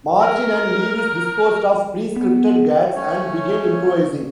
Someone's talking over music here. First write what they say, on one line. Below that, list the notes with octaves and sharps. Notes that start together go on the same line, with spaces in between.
Martin and Lewis disposed of pre-scripted gags and began improvising.
A#4 F6
B3
A3 C#4 C#5